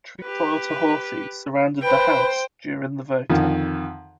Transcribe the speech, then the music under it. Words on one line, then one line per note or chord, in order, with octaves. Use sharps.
Troops loyal to Horthy surrounded the House during the voting.
G4 B4
B4 C5 G5
F2 D3 D#3